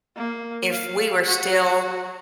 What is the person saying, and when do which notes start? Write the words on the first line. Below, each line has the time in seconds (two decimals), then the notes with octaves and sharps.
if we were still
0.16 A#3
0.71 F5
1.27 F#4